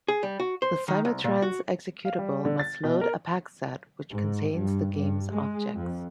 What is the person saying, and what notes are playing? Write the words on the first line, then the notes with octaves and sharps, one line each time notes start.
The "Simutrans" executable must load a PakSet which contains the game's objects.
G#4
G3
F#4
C5
D#3
C2
A#2
F#4
F5
G3
D3
A6
B2
A#4
G#2
G2
G2
G#3
F2